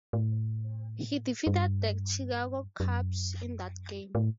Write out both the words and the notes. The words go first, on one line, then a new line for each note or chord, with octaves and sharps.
He defeated the Chicago Cubs in that game.
A2
G2
F#2
A2